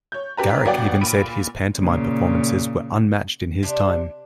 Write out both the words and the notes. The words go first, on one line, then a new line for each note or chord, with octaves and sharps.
Garrick even said his pantomime performances were unmatched in his time.
C#5 G6
D4 G4 B4 A#5
G1 F#3 B3 D5 F#5 G5
A#2 B5 D7 D#7
A#2 C#3
C3 D4